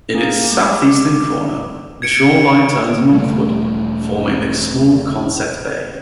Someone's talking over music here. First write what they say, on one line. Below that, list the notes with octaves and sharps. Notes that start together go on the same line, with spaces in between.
In its southeastern corner, the shoreline turns northward, forming the small Conset Bay.
A#3 G#4
G#3 D6
G#6 C#7 D7
E1 G3 A3